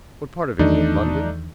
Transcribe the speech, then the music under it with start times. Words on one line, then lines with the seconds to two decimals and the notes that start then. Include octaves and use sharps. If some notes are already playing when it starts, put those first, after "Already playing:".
"What part of England--London?"
0.59 E2 D#3 A3 D4 D#4